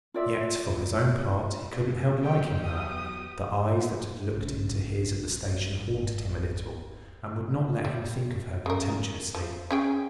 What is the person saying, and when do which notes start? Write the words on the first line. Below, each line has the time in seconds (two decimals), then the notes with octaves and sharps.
Yet, for his own part, he couldn't help liking her; the eyes that had looked into his at the station haunted him a little, and would not let him think of her contemptuously.
0.14 F4 D5 E5
2.23 F#3 B3 G4 G5
2.63 D#6
4.33 A#1 C#3
5.90 G#1
7.85 G3
8.66 C#3 A#4
9.35 F3
9.71 C#4 G#4 G5